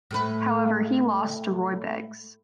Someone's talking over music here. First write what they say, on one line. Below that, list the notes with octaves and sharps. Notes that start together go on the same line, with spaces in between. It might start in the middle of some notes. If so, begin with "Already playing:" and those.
However he lost to Roy Beggs.
A2 A3 B4